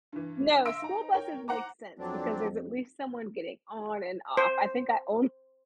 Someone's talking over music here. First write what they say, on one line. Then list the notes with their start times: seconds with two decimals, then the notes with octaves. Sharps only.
No, school buses make sense because there's at least someone getting on and off. I think I only
0.13 G2 E3
0.65 E5 F5 C6 E6 A#6 D7
0.82 D#4 A#5
1.14 A#4 C#5 G5
1.48 C5 F#5 A#5 D6
1.99 F2 F#3 C4 D4
4.37 C5